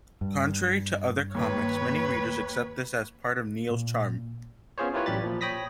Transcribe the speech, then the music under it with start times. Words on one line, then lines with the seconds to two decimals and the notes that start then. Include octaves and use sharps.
Contrary to other comics, many readers accept this as part of "Nero"'s charm.
0.21 G2
1.35 D#2 B4 C#5
3.70 A#2
4.78 B3 C#4 F4 G#4 C5 C#5
4.94 E4 F4 G4 A#4 B4 C#5
5.06 A1 F#3 G4 D5 B5 A6
5.24 A#2 F3
5.41 C#5 G5 B5 D#6 A#6 B6